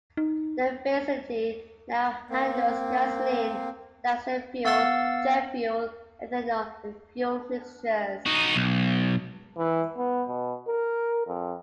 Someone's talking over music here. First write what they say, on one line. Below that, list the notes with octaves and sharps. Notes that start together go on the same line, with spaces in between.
The facility now handles gasoline, diesel fuel, jet fuel, ethanol, and fuel mixtures.
D#4
A#3 C4
B3 F5 F#5 E6 A6
D#4 F#4
B1
E3
B3
B2
A#4
F2